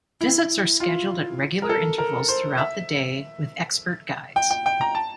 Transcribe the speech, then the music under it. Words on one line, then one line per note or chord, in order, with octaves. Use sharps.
Visits are scheduled at regular intervals throughout the day with expert guides.
E4
F4
A#4
A4
A#4
C5
E5
G5
G5
G5
A#5
A5